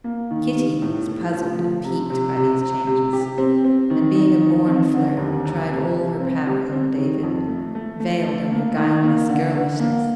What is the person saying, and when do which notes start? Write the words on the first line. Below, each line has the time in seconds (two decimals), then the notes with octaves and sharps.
Kitty was puzzled and piqued by these changes, and being a born flirt tried all her powers on David, veiled under guileless girlishness.
0.04 A#3
0.31 D#3
0.56 G3
0.82 A2
1.08 A3
1.33 F3
1.59 F3
1.84 C3
2.10 C3
2.36 C3
2.61 C3
2.87 C3
3.13 G4
3.38 C4
3.64 C4
3.90 D#3
4.15 D#4
4.41 D#3
4.67 C4
4.93 D3
5.17 D#2
5.44 C3
5.69 C3
5.95 G3
6.20 C4
6.46 G3
6.72 C4
6.98 D#3
7.23 F2
7.48 A3
7.75 A3
8.00 A3
8.26 A3
8.52 A#3
8.77 D#3
9.03 A#3
9.29 D3
9.54 D3
9.80 A#3